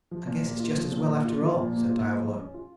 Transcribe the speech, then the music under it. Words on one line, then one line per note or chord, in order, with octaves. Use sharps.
"I guess it's just as well after all," said Diavolo.
F3
A#2
A#3
F4
F3
A#2
A#3
F4
F3
A#2
A#3
F4
A#3
F3
C#4
F4